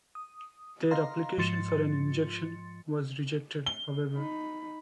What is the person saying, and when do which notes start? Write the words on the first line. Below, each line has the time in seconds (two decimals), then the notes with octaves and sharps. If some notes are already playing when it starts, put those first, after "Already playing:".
Their application for an injunction was rejected however.
0.15 D#6
0.91 D#5 F5 A#5 C6
1.38 G#2 F3 F4 C6 A6 C#7
3.66 G7
4.15 D#4 B5